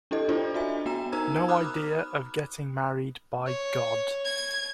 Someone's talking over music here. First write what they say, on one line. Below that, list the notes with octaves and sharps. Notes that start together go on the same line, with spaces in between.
No idea of getting married, by God!
D4 E4 G4 A4 D#5
D4 E4 F4 A4 C5 D5
F#4 D#5 E5 G#5
B3 F#4 G5 A#5 E7
D#4 A#4 C5 A#5 E6 G#6
B5 D6 D#6 F6 F#6
C#5
G#6